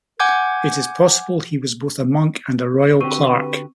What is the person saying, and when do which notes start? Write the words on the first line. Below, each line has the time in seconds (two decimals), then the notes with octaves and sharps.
It is possible he was both a monk and a royal clerk.
0.20 F#5 G#5 D6 G6 G#6
3.00 D3 C4 F#4 G4 B4 C#6 D#7